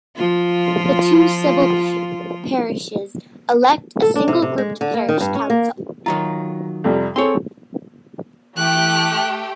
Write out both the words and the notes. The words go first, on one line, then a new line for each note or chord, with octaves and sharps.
The two civil parishes elect a single grouped parish council.
F3 F4
A4
D4
C3
C3
G#3
D3
A#3
D#3
G2
C#4
A#3
D#3 F#3 F4 A#5
F2 C3 G3
C4 G#4 A4 C#5 C6
E3 A3 G4 G5 F#6